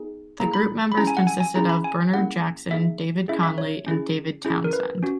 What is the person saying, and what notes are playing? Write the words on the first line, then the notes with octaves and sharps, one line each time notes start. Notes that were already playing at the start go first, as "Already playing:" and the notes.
The groups members consisted of Bernard Jackson, David Conley and David Townsend.
Already playing: B3 D#4 G#4
A#3 E4 G#4 A#5
B5
B5
C#4 E4 G#4 A#5
G#5
F#5
G#5
G#5
C#4 E4 G#4 A#5
B5
G#5
A#3 C#4 E4 G#4 F#5
A#3 D#4 G#4 E5
C#4 E4 G#4 E5
E5
C#5
C#4 E4 G#4
C#4 E4 G#4
A#4
B4
C#4 F#4